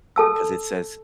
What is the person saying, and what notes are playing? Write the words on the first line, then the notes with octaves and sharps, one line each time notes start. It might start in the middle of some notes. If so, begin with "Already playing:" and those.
'cause it says,
A4 A5 E6